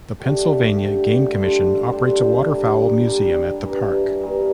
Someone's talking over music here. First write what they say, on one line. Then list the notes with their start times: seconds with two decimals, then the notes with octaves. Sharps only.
The Pennsylvania Game Commission operates a waterfowl museum at the park.
0.19 D3 A3 D4 G4
0.77 D3 A3 D4 G4
1.34 G3 D4 A4 C5
1.91 G3 D4 A4 C5
2.49 G3 A#3 D4
3.06 G3 A#3 D4
3.63 G2 E3 A#3
4.22 G2 E3 A#3